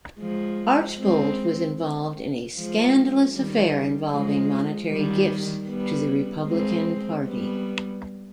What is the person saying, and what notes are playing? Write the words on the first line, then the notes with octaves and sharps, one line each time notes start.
Archbold was involved in a scandalous affair involving monetary gifts to the Republican Party.
F3 G#3
G#3 C4
F3 G#3
D#3 G3
F3 G#3
D#3 G3
G3 B3
G#3 C4
G3 B3